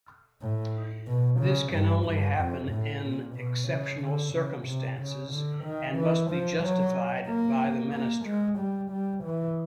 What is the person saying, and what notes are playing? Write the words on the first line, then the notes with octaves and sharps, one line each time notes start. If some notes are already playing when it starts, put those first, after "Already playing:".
This can only happen in exceptional circumstances and must be justified by the minister.
A2
B2
C#3
G2
G2
F2
A2
A#2
B2
C#3
D3
C#3
C3
C#3
D3
D#3
E3
F3
F#3
A#3
A#3
G#3
G3
G3
E3